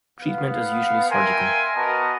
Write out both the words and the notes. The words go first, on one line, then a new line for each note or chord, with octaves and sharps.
Treatment is usually surgical.
B3 F5
A#4 E5 G5 G#5 C6
B3 F#4 A#4 D#5 A5